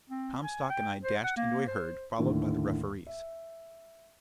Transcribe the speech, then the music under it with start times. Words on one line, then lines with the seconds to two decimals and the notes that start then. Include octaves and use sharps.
Comstock and I dashed into a herd, followed by the referees.
0.09 C4
0.43 G#5
0.69 G5
1.04 C5
1.24 F#5
1.36 A#3
1.67 C5
2.18 D#2 A2 D3
3.07 E5